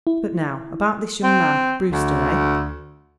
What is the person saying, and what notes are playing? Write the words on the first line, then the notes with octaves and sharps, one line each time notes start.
But now about this young man--Brewster--eh?
E4
C4
D2